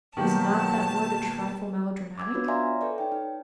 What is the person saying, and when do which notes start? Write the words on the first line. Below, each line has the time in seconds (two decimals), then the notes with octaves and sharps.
"Is not that word a trifle melodramatic?"
0.17 B2 D#3 F#3 A#3 G4 A5
2.18 D6 E6 G#6
2.34 B3 D4 F4 F#4 B4 C#5
2.48 D5 E5 F5 G#5 A#5 C6
2.81 A4 B4 C#5 D5
2.98 D#4 G5
3.12 D#4